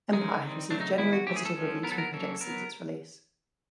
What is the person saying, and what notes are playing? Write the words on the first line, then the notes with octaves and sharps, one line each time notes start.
"Empire" has received generally positive reviews from critics since its release.
D#3 G#3 C#4 D#4
D#3 G3 C4
C#3 F#3 A3 C4 D4
D#4
D#3 G3 B3 E4
F#4
E3 A3 C#4 G4
G#4
A4
F3 G#3 C#4
B3 A#4
F#3 A4
A#4
C#3 F#3 A#3 C#4 A4
F#3 B3 A#4